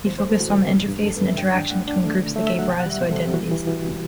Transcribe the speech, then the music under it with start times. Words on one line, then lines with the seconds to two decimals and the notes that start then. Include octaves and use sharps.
He focused on the interface and interaction between groups that gave rise to identities.
0.07 E2 C5
0.19 C5
0.24 A3
0.29 A4
0.40 E3 F#4
0.57 C3
0.73 G2
0.89 G2
1.05 G2 A4
1.17 B4
1.21 G2
1.27 E5
1.37 D4 G5
1.54 D4 G5
1.70 A3 F#5
1.88 D4
2.04 A3
2.19 D3
2.36 A3 E5
2.47 E5
2.52 F#3
2.59 F#5
2.68 B2 G5
2.80 F#5
2.86 G3 E5
3.01 B2 C5
3.12 A4
3.17 G3
3.24 G4
3.34 E3 F#4
3.50 E3 G4
3.67 E3 F#4
3.83 C3